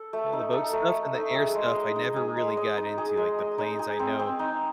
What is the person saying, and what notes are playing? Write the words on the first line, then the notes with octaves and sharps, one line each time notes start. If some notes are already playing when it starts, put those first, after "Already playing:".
Yeah, the boat stuff and the air stuff, I never really got into. Like, the planes, I know
Already playing: A4
A3
D#4
A4
A3
A3
D#4
G#4
G#3
D#5
D#4
G#4
G#3
D#5
D#4
G#4
G#3
D#5
D#4
G#4
C4
C4
D#4